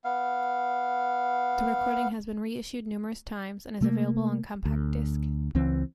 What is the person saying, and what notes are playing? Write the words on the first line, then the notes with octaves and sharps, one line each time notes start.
The recording has been reissued numerous times, and is available on compact disc.
B3 F5
C3 A3 A#3
D2
C#2 E3 C4